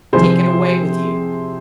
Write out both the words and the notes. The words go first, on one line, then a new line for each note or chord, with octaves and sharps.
"Take it away with you."
C3 F3 G#4 C5